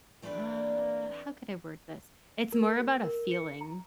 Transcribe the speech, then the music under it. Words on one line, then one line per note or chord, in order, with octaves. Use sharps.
uh, how could I word this? It's more about a feeling,
E3 A3 C4 D4 B4 D5
A#4
G4
A#4
C#7
A#5